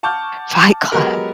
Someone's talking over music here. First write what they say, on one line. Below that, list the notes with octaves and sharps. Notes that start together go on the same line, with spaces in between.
Fight Club.
F#5 A5 C#6 D6 F6 G6
F#3 G#3 B3 G4 A#4 B4